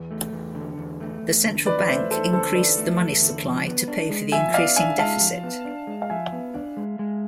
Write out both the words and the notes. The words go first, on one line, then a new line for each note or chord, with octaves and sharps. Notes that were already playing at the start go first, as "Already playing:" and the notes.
The Central Bank increased the money supply to pay for the increasing deficit.
Already playing: E2
A3
E2
D3
E2
A3
E2
D3
E2 B4 D5
D5
A3 C5 E5
E2 A4 C5
D3 A4 C5
E2 B4 D5
A3
E2
D3
F3
B3
D4
G#3
F3 E5 G#5
B3 D5 F5
D4 E5 G#5
G#3 F5 A5
F3
B3
D4
G#3
F5
F3 E5 G#5
B3
D4
G#3
G#3